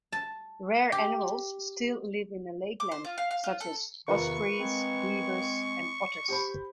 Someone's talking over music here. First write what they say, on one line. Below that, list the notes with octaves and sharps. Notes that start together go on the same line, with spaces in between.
Rare animals still live in the lakeland, such as ospreys, beavers and otters.
A5
G4
D6
C5
F4
F5
F5
F4
A4
E2 C3 D#3 F4 A#4 B4 C#6
G#3 C4
G4 C5 B5